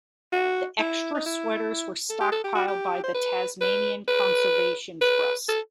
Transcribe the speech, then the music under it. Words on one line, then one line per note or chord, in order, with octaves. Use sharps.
The extra sweaters were stockpiled by the Tasmanian Conservation Trust.
F#4
E4
D#4
E4
A4
G4
A4
G4
F#4
G4
C5
B4
B4
B4
B4
A4